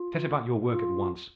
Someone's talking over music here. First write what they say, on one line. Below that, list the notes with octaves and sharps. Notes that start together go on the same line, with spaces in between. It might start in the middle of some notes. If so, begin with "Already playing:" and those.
'Set about your work at once.
Already playing: F4
F4